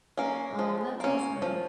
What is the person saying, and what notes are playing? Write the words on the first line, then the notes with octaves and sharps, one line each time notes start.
Aw, that's awesome.
A#3 C#4
F3
A#3 C#4
F3